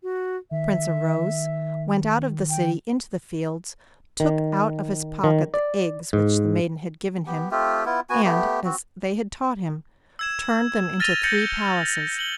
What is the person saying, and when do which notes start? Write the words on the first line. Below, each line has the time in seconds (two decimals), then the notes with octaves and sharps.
The Prince arose, went out of the city into the fields, took out of his pocket the eggs which the maidens had given him, and, as they had taught him, turned them into three palaces.
0.03 F#4
0.51 D#3 E5
2.50 G5
4.20 D#3
5.24 D#3
5.54 D5
6.13 G#2
7.27 B3 G4
7.51 A3 C4 F4 G4
7.85 B3 E4 F4
8.10 B3 F#4 G#5
8.24 A3 B3 G4
8.65 C4 F#4
10.19 E6 G#6 E7
11.00 F6 A6 A#6 D#7 F7 G7
11.24 G6 A6 A#6 C#7 F#7
12.19 F#7 G7